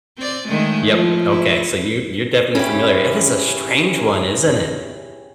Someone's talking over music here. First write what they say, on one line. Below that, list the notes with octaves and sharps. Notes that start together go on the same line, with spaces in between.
Yep, okay, so you you're definitely familiar. It is a strange one, isn't it?
C4 D5
D#3 G#3 A3
F3
E4
C#3 C#4 E4 G4